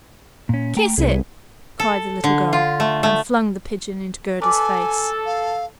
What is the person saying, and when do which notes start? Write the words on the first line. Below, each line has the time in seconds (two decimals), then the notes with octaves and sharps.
"Kiss it," cried the little girl, and flung the pigeon in Gerda's face.
0.49 A#2 C#4
0.77 A3 G5 A#5
0.98 C2 G#4 B4
1.80 A4
2.24 D3
2.53 F4
2.80 A3
3.03 A3
4.42 A4 B4 D5 G#5
5.26 F5